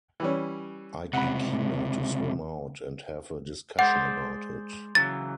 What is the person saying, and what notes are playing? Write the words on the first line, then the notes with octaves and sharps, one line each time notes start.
I'd be keener to swim out and have a discussion about it.
E3 G3 C#4
C#2 C3 F#5 B5
G#3 C5 D5 F#5
C#3 E3 F#3 A6